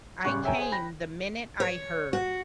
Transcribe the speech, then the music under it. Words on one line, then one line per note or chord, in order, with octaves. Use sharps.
I came the minute I heard.
A1 C#3 G3 C#6 F#6
G#4 C#5 E5 G5 G#5 A#5
G#4 C5
G5 B5 A#6
C#5
F#4